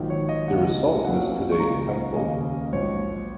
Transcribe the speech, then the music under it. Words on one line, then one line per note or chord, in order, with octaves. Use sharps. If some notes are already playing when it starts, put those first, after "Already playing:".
The result is today's Temple.
Already playing: A#1 G#2 D#3 F#3
C#5
D#5
C#2 C#3 A#3 D#4 F#5
A#1 A#2 F#3 A#3 C#4 F#5
C#6
C#2 C#3 A#3 D#4 A#5
D#2 C#3 A#3 C#4 D#5
A#1 G#2 F#3 C#5